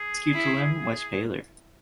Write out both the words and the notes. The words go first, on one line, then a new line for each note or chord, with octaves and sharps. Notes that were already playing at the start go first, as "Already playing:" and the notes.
Scutellum much paler.
Already playing: G#4
E4